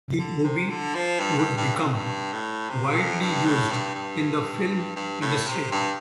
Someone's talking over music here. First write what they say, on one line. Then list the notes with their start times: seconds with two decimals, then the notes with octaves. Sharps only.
The Obie would become widely used in the film industry.
0.19 D3
0.44 C3
0.70 D3
0.95 F3
1.20 G2
1.38 G2
1.57 G2
1.75 F2
1.95 G2
2.33 A2
2.69 C3
2.95 F2
3.20 G2
3.46 A2
3.70 G2
3.95 G2
4.96 G2
5.21 A2
5.47 C3
5.72 G2